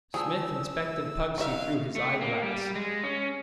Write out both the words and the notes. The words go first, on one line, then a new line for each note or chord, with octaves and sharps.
Smith inspected Pugsy through his eyeglass.
E3 F3 G3 A3 G#4 E6
G3 D#4 F#4 E5 F5 G5
A3
A#3
G3
G#3
C#4